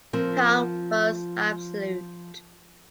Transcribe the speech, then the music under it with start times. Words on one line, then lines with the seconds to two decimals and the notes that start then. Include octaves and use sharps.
Calm was absolute.
0.13 F3 C4 A#4